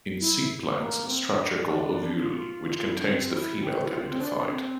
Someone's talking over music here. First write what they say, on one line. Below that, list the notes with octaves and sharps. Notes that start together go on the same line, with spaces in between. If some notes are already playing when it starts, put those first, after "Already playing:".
In seed plants, a structure called ovule, which contains the female gametophyte.
E4
A#3
C4
D4
F4
F4
E4
D4
C4
E4
G4
E4
F4
C4
D4
C4